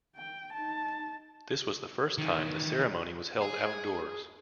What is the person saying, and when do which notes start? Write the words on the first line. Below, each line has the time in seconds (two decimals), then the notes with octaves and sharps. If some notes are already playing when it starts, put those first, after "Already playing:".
This was the first time the ceremony was held outdoors.
0.17 G5
0.53 D#4 A5
2.18 D#3 E3
3.42 G#4